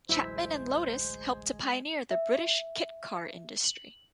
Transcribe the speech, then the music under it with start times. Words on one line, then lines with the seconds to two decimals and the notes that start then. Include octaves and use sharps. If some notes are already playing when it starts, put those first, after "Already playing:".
Chapman and Lotus helped to pioneer the British kit car industry.
0.09 A1 D2 F#3 G#3 E4 C5 E5
2.11 E5
3.64 F#7